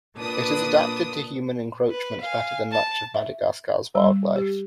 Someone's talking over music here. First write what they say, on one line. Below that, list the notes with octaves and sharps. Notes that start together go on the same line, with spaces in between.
It has adapted to human encroachment better than much of Madagascar's wildlife.
A#2 D4 B4 D#6
B4
F5 G#5
A5
E5
G3
G4